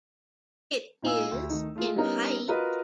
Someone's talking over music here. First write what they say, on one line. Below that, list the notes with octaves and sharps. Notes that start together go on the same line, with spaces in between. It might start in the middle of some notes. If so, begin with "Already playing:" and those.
It is in height.
A#2 D#4 F5 G#5 E6
D2
D#3 A3 D#4
A3 F4 G#4
G3 B3 C#4 D#4 A#4 D#5
F4 F#4 A#4 B4 D#5